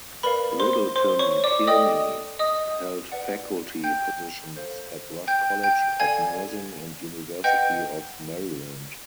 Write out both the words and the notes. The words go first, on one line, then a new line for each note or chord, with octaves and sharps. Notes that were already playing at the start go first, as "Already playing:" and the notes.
Littleton Kearney held faculty positions at Rush College of Nursing and University of Maryland.
A#4 B4 D5 F5 B5
C5 C6
C5 C6
C#5 C#6
D5 D6
A4 D5 D#5 G5 D#6
D#5 D#6
B4 D5 F#5
G5 G6
A4 C5 F5
G5 G6
G5 G6
A4 D5 F5 G#5 G#6
B4 D#5 F#5 G5 G6